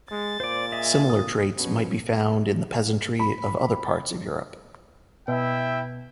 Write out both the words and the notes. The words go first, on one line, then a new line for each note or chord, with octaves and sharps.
Similar traits might be found in the peasantry of other parts of Europe.
G#3 A6
A#2 C5 D5
G#4 D#5 E5
D#6
B2 F3 C#4
B5
B2 E4 E5 G5